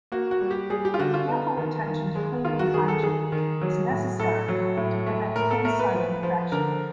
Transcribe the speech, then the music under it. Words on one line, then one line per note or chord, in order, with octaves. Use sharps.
Careful attention to cleaning and hygiene is necessary to prevent pin site infection.
A#3 F#4
F#4
G3
G4
G3 G#4
G4
F4
D3 F#4
F4
B3
D#3
D#3
G#3
D#3 F4
F#4
D#3 G#4
A4
D#3 G#4
D#3
F#3
A2
A2 A4
F#3
A2
A3
A2 A#4
A4
A3 A#4
B4
F3
F3
D3 A#4